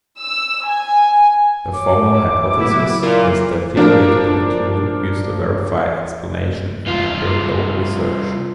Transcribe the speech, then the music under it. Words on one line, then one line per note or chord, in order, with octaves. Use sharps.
The formal hypothesis is the theoretical tool used to verify explanation in empirical research.
E6
G#5
C#5 D6
E4 G#4 E5
C#3 F#3 B3 E4 G4
A#2 E4 F4 A#4
F3 D4 F4 A#4
C2 F4